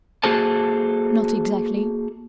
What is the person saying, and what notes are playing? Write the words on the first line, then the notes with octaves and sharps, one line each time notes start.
"Not exactly."
A#3 F#4 G#4 A4 C5 A5